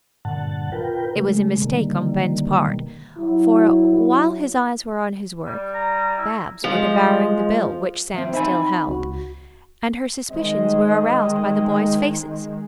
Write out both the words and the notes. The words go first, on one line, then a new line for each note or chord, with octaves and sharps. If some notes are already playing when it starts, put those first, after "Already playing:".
It was a mistake on Ben's part, for while his eyes were on his work Bab's were devouring the bill which Sam still held, and her suspicions were aroused by the boys' faces.
G2 A#2 D3 F#5 A5
F4 A#4 B4 G5
C#3 G#3 A3
B2 D3 D#3 G3 A#3
F#3 E4
G3
A#5
E4
F3 G#3
F3 C4 E5
C4 D#4 E5 G#5 B5
C#2 F#4
D#3 G#3 C4 D#5